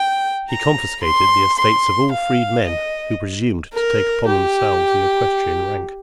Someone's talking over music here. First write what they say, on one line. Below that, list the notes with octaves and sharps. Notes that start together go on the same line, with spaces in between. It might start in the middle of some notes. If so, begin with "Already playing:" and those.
He confiscated the estates of all freedmen who presumed to take upon themselves the equestrian rank.
Already playing: G5
A#5
C6
C6
F5
D#5
A#4
G4